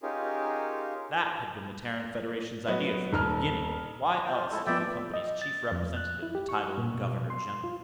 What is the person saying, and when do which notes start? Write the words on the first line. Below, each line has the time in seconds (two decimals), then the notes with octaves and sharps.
That had been the Terran Federation's idea, from the beginning; why else give the Company's chief representative the title of Governor-General?
0.03 C#4 D#4 F4 G4 G#4 A#4
2.67 F#3 B3 D#5
3.13 D#1 A#5 F6
4.26 F4 C5
4.52 G#3 E4 A4
4.67 F3 A3 B3 D5 E5 G5
5.14 D#5
5.42 A6
5.72 F2
5.97 F#6
6.23 E4
6.35 G4
6.49 C#6
6.78 A#2
6.95 B2
7.30 C6
7.64 F4